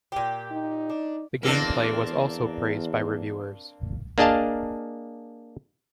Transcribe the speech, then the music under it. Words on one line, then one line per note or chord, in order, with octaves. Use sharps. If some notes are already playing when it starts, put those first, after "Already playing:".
The gameplay was also praised by reviewers.
A#2 G4
D#4
D4
E2 A#3 C4 D4
A#3 D4 G#4 D#5 F5 A5